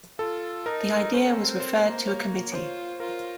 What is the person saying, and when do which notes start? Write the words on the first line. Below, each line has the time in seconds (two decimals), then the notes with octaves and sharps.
The idea was referred to a committee.
0.19 F4 A4
0.66 D#4 A#4
1.13 C#4 C5
1.44 C4
1.60 C5
1.76 A#3
2.07 A#3 C#5
2.54 F4 C5
3.00 F4 A#4